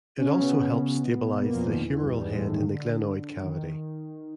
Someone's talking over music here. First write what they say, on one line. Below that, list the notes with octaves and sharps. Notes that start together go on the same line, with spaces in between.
It also helps stabilise the humeral head in the glenoid cavity.
C#3 C#4
B2 B3
A#2 A#3
F2 F3
D#3
E2 E3
G2 G3
G#2 G#3
A2 A3
D#3
D3
D#3